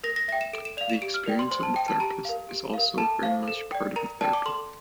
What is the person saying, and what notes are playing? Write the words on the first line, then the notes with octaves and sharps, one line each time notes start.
The experience of the therapist is also very much part of the therapy.
A#4 A#6
A#6
E5 G5 A#6
E7
A4 D7
E7
D5 F5 F7
E7
G4 D7
F6
A#4 D5 G5
C6
C5 C6
A5
G5
A5
G4 A#5
A#4 F5
G4
A#4 F5
A4 A5
C5 F5
A4
D5 G5
A#4 A#5
D5 G5 A5
D6
A4 C6